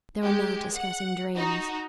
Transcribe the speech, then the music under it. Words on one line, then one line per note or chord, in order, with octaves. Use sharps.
They were now discussing dreams.
G#3 G4
F#5
D#4 F#4